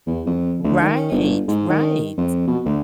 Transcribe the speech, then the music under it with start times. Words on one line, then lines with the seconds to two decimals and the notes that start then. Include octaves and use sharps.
Right, right.
0.07 E2
0.26 F2
0.64 D2
0.82 D#3
1.12 G1
1.48 G#2
1.70 D#3
2.18 F2
2.48 B2
2.66 D2